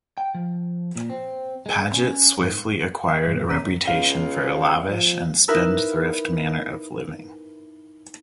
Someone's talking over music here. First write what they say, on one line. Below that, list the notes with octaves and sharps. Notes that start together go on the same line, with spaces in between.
Paget swiftly acquired a reputation for a lavish and spendthrift manner of living.
G5
F3
A#2
C4
G#3
C#4
G#2
G2 B2
E2 G#2 C3 C#4 A#5 B6
C#2 F5
F3
D#4 E4 A#4 B4 E5